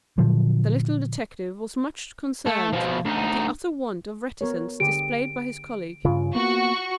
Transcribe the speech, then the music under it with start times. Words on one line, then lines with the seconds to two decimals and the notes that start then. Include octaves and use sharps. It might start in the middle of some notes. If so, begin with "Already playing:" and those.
The little detective was much concerned at the utter want of reticence displayed by his colleague.
0.18 A#2 D3 F3 F#3
2.46 A3
2.73 B2 F3
3.05 D2 D#4
4.41 B3 A#4 C#5
4.80 D3 G4 G#4 D7
6.05 G2 C#3 F4
6.35 A#3 B3 F#4 C#6